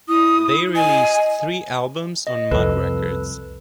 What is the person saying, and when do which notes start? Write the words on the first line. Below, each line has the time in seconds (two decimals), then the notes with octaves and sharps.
They released three albums on Mud Records.
0.09 E4 D#6
0.76 D#5 G#5
2.27 D#5
2.51 C2 F2 A4 B4